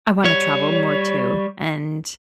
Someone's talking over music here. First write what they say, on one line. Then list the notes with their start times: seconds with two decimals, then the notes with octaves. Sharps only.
I wanna travel more, too, and
0.24 G3 C#5